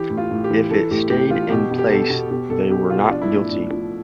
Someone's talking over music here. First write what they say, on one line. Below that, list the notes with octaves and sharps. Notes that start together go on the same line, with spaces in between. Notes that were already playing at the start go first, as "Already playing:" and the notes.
If it stayed in place they were not guilty.
Already playing: E3 G4
A2
F4
A2
G4
E3
E3 A4
A2 G4
A2 G4
E3 F4
B2 G4
B2
G4
B2 A4
B2
B2 G4
B2 A4
B2 G4
B2 F4
F3 D4
E4
A2 D4
A2 D4
F3